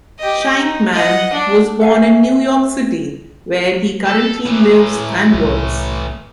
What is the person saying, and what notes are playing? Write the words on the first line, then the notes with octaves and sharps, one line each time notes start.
Sheinkman was born in New York City, where he currently lives and works.
G4 D#5
D#4
D#5 F#5
D4
A4 E5 F5 G#5
A4
A2 E3
C2